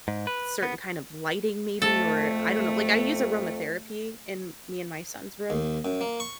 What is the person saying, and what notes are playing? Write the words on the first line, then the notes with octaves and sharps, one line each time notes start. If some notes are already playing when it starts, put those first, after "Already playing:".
certain kind of lighting maybe? Or I don't know, like I use aromatherapy in me and my son's room,
G#2
B4
B3
F2 A3 A4
D#2
F#2
A#3
C#6